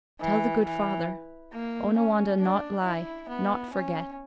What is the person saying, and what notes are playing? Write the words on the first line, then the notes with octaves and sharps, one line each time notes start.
Tell the good father, Onawandah not lie, not forget.
E3
E3
A#3
C#4
D4
E4
B3
C#4